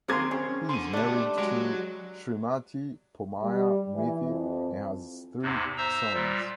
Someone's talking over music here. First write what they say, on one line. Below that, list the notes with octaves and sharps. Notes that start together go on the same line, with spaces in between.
He is married to Shrimati Pomaya Mithi and has three sons.
D#2 F#3 C4 G#4 A#4 C6 D6 G#6
C#4 G#4
D3 C6 D#7
G3 A3 D4 D5
F#3 G#3 D7
G3
E3
F2
E2 G#2 C3
C5 E5 A#5 E6
A#2 G3